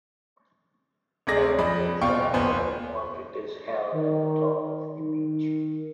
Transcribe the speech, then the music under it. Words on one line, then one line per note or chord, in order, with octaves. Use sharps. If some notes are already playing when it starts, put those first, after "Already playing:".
Aloguinsan public market is held at the top of the beach.
D2 C3 G#3 G#4 D5 A#6
F2 D5 D#5 B5
D#1 B2 F4 D5 G5 C#6
F1 D#2 B3 C5 G#5
D#3
D#3